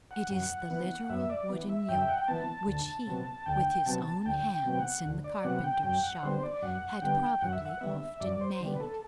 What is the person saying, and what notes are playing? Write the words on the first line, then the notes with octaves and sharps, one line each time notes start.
It is the literal wooden yoke which He, with His own hands in the carpenter shop, had probably often made.
F#5
F#2 F#5
E3 B3
F#5
F#2 E5
D5
E3 B3
E5
F#2 G5
E5
F#5
G5
E3 B3 A5
D2
C3 F#3 B3
D2 G5
C3 F#3 B3 A5
A5
D2 G5
G5
C3 F#3 B3
F#5
D2
D5
C3 F#3 B3 F#5
G5
F#2 G5
F#5
D3 G3 B3 C5
D5
F#2 F#5
D3 G3 B3 G5
F#2 F#5
E5
F#5
D3 G3 B3 E5
F#2 D5
C5
D3 G3 B3
B4
A4